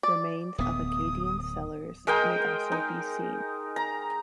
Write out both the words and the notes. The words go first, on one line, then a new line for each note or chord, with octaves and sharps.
Remains of Acadian cellars may also be seen.
D5
D1 B3 D#6
G#3 A#4 D#5 G5
D#4
A#5